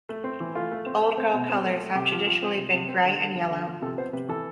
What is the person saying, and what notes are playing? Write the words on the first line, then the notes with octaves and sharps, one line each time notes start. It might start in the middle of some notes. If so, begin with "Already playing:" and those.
Old Girl colors have traditionally been grey and yellow.
A3
C4
E3
A3 F4
A3
C4
A3
C4
B2
C4
A3
A3
C3 G4
F3
F3
C4
C3
C3
C4
D3
D3
F3
D3
F3
C3 A4
B3 C5
C3 B4
E3 A4